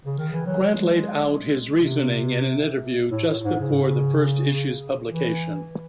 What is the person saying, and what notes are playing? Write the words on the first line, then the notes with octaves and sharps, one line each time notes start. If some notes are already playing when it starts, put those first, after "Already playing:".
Grant laid out his reasoning in an interview just before the first issue's publication.
C#3
D#3
E3
F#3
G#3
C3
A2
A2
G#2
C#3
E3